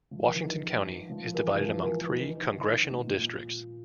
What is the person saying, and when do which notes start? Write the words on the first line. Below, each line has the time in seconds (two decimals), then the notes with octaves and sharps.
Washington County is divided among three congressional districts.
0.11 F3
0.23 E3
0.35 D#3
0.46 E3
1.10 F3
1.34 E3
1.55 E3
1.59 F3
1.84 E3
2.08 D#3
2.17 E3
2.26 D#3
2.58 D#3
2.74 D#3
2.91 A#2
3.07 A#2